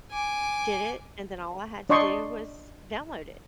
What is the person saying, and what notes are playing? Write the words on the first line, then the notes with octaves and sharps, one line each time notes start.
did it, and then all I had to do was download it.
G#5 D6
D4 D5 D#5 C6 C#6 D#6